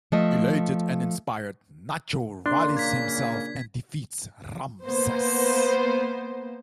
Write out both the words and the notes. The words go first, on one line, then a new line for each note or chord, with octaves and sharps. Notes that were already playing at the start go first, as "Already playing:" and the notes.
Elated and inspired, Nacho rallies himself and defeats Ramses.
F3 A3 D#5
A#2 C#3 A#3 D4 C6
G#6 B6
A#3 B3 C5